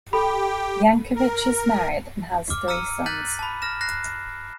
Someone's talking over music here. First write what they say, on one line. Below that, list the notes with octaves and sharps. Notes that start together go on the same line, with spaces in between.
Yankevich is married and has three sons.
G4 A4 G5 B5
A#4
D6 F6
A#5 E6 F6 C#7 D#7
F#6 G6 A6 B6 D#7 F#7
A5 B5
F6 A#6 E7
F#6 A#6 C7